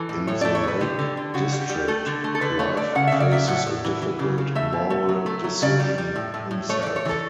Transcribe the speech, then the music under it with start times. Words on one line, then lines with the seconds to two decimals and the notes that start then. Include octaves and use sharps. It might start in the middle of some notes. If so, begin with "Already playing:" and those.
In the Lake District, Clive faces a difficult moral decision himself.
Already playing: E3 A4
0.09 A2
0.27 A2 C#5
0.41 A3 D5
0.55 C#5
0.64 A2 B4
0.81 D3 G4
0.99 D3
1.17 D3
1.34 C#3 F#4
1.52 G3
1.62 G4
1.70 G3
1.88 A3 A4
2.06 D3
2.24 A3
2.35 A4
2.41 D3 B4
2.59 A3 C#5
2.77 A3 D5
2.95 C#3 F#5
3.07 C#3 E5
3.20 D5
3.31 F#3 E5
3.48 A2 F#5
3.67 A2
3.85 E3
4.02 E3
4.19 C#3
4.38 C#3
4.55 A3 E5
4.72 B2
4.90 A3
5.09 F#3
5.26 A3
5.44 F#3
5.62 C#3 D5
5.80 G3
5.98 G3
6.16 A2
6.34 A2
6.51 A2
6.69 A3 C#5
6.83 E3 D5
6.96 C#5
7.05 E3 A4